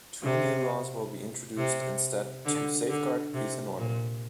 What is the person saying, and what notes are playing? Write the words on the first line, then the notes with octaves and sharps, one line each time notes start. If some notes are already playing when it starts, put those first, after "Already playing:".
Two new laws will be introduced instead to safeguard peace and order.
C3
C3
D3
D3
C3
A#2